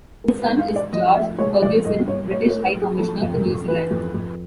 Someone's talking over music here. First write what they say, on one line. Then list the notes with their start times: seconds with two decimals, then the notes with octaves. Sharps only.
His son is George Fergusson, British High Commissioner to New Zealand.
0.24 G#3 A#4
0.42 B4
0.48 G#2
0.59 F5
0.70 G#2
0.76 D5
0.93 F3 D#5
1.15 D2 E5
1.39 G#3 C#5
1.61 F3 D5
1.84 C2 D#5
2.08 C2 C#5
2.31 A2 C#5
2.48 C#5
2.54 A2
2.65 B4
2.76 F#3
2.82 G#4
2.99 F3 A4
3.22 F2
3.34 A#4
3.46 F2
3.68 E3 B4
3.91 F2
4.14 F2